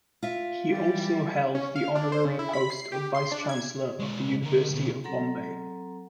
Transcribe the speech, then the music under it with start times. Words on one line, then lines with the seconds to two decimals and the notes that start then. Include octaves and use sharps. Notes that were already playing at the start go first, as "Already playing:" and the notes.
He also held the honorary post of Vice Chancellor of the University of Bombay.
0.23 F4 E5
0.69 E3 G3
1.55 C#4
1.76 F5
1.95 D4
2.12 C5
2.25 C#3
2.39 E4
2.53 B5
2.70 C7
2.92 G4
3.15 C6
3.32 D4
3.49 G#6
4.00 G#3 D4
4.43 D3 A#4
4.70 D2 B2
5.04 F#3 C4 A4 F#5 A#5